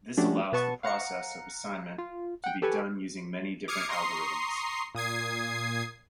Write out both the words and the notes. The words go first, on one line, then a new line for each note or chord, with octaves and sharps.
This allows the process of assignment to be done using many different algorithms.
F3 A3 C#4 D4 F#4 G4
B2 B3 B4 A5 C#6
F5 F#5 A#5 C#7
F4
F#5 G5
G4 A4 B4 G#5 C#6
D6 D#6 F6 G#6 C7 C#7
A#5 C6 C#6 D#6 C7
A#2 D#6 G#6 C7